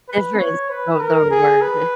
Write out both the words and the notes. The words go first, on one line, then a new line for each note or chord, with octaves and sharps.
difference the their word.
B4
C#5
B4
A#4
G#4
B4